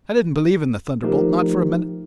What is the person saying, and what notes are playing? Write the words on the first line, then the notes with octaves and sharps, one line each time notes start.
I didn't believe in the thunderbolt, not for a minute.
F3 A3 D#4 G4 A#4